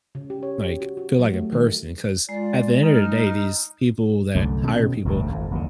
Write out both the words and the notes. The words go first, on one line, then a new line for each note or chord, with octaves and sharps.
like, feel like a person, 'cause at the end of the day, these people that hire people,
C#3
G4
C#5
G4
F#4
F#4
F#3
A3
D#3
G#3 F4 D5
D#4 F6
C2 F#2 D3 A3
B2 D#3 C#4
E1 D2 A2 C3
G#1 F2
F#1 D#2 A#2 D3